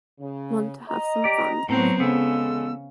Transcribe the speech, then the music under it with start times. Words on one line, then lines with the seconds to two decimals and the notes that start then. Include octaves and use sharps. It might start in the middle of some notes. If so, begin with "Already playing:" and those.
Want to have some fun.
0.19 C#3
0.89 D#5 A#5
1.24 G4 D5
1.69 A2 F#3 B3 C4 A#5
2.00 E2 C#3 G#3 B3 A4 E6